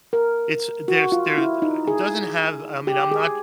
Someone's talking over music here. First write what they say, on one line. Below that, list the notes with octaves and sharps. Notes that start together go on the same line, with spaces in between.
It's there's there, uh it doesn't have I mean, I'm not
A#4
F#4
F4
E4
D#4
G#4
G4
G#4